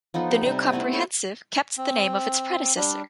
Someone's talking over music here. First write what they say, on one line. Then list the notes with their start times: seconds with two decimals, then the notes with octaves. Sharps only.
The new comprehensive kept the name of its predecessor.
0.14 F3 B3 D#4 A4
0.31 G4
0.43 C3 G3
0.72 A3 B3 C4 E4
0.93 E4 A4 C5 C#5
1.77 C4
2.77 G3 D4